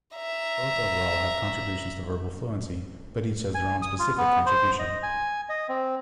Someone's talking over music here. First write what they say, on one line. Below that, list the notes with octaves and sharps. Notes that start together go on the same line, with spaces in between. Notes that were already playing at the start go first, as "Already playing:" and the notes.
Both overall have contributions to verbal fluency, but each has their own specific contribution.
E5 A#5
G#5
D#6
F4
B3
C5
D#5
G#5
D#5
C4